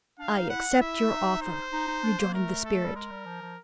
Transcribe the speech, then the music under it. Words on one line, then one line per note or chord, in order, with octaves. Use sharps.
"I accept your offer," rejoined the spirit.
D4 F5
D#4
E4 F#5
E4 E5
D#4
C5
D#4
D#4
D4
A#3
A3 A#4
A4
G3
G#3 A#4
G3
F3
F3